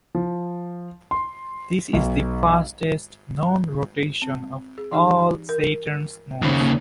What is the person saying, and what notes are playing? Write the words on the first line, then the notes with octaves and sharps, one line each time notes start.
This is the fastest known rotation of all of Saturn's moons.
F3
C6
B1
C4
G#4
E3 D#4 G4
A#4
D#2 C#3 D#4 C5 B5
D#3 A#3 D#4